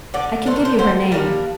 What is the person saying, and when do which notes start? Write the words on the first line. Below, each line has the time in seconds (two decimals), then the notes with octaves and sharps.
I can give you her name.'
0.14 D3 D5
0.46 A3 D4 C5
0.56 A#4
0.65 C5
0.79 D3 C5
1.12 G3 A#3 D4 D5